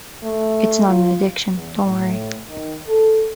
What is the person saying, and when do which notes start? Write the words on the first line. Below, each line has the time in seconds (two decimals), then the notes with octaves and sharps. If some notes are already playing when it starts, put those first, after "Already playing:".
It's not an addiction, don't worry.
0.23 A3
0.88 F4
1.53 E2
1.87 A2
2.49 D#3
2.87 A4